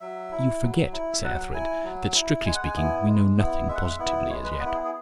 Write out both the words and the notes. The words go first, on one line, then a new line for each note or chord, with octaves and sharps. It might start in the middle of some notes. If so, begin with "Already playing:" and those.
"You forget, Sir Ethelred, that strictly speaking we know nothing positively--as yet."
F#3 E5
E4
F#3
E4
E5
F#3 F#5
E4 G#5
F#3
E4
G#3 G#5
F#5
G#5
B3 E4
G#3
B3 E4
G#3 E5
F#5
E5
B3 E4
G#3 C#5
B4
B3 B4
E4
G#4
G#4